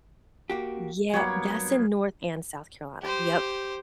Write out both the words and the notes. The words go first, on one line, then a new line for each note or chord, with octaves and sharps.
yeah that's in North and South Carolina. Yep,
A#3 F#4 G4
G2 F#3 A#3 B3 C#5
G4 C5